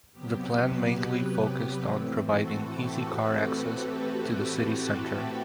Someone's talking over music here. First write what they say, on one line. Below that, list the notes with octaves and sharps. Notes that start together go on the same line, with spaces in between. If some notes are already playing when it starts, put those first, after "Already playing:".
The plan mainly focused on providing easy car access to the city centre.
C3 F#3 B3 G4
G4 B4
G4 B4
G4 B4
A2 E3 A3 C4
F#4 A4
G4 B4
G4